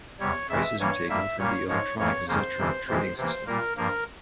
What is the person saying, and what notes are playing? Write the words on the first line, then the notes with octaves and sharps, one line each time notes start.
Prices are taken from the electronic Xetra trading system.
E2 C3 G3 C#5
F2 C#3 E3 G#3 E5
G2 E3 G3 A#3 C#5
G2 G3 A#3 E5
A#2 G3 A#3 C#5
G#2 F3 G#3 C#5
F2 E3 A#3 C#5
F2 C#3 F3 A#3 C5
F2 C3 E3
F2 C3 E3 G#3 C5
C3 E3 A#3 C5
A#2 G3 A#3 A#4
G2 F3 A#3 A#4